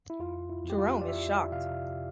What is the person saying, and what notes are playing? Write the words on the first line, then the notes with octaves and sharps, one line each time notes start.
Jerome is shocked.
E4
F2 F4
E4
F2
G4
F4
D5
F2 E5
C3 F5